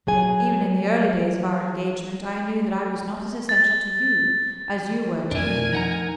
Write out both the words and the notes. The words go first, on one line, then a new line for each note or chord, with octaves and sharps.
Even in the early days of our engagement I knew that I was not as essential to you as you were to me.
F#3 G#4 G#5
A6
F2 B2 A3 C4 D4 A#4 G#5
F3 D#4 F#5 A#5